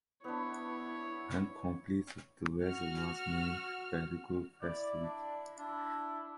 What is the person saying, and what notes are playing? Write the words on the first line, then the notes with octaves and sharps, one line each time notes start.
When completed the vessel was named "Beluga Festivity".
B3 D4 E4 C#5
F#4 F6
E4 D5
D4
D4 E4